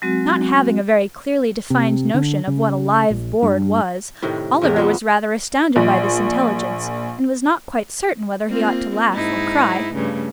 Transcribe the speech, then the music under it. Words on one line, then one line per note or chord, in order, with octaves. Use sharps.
Not having a very clearly defined notion of what a live board was, Oliver was rather astounded by this intelligence, and was not quite certain whether he ought to laugh or cry.
F#3 G#3 C4 F#4
C3
D3
C#3
A#1
G2
A2 C3 D#3
E2 A2 C3 A#4
A#2 A#3 B3
A#1
A#3 C4 F4
G#2 D#4 E4
G2 C#3 A3